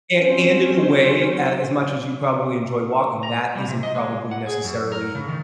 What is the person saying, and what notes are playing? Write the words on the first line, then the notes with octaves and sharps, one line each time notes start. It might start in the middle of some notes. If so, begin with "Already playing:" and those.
And and in a way, as as much as you probably enjoy walking, that isn't probably necessarily
F#3 C4 C#4 C5
A#5
G3
C3
D#5
G#3
F#5
G#4
F#2
A#4
C#3
D#3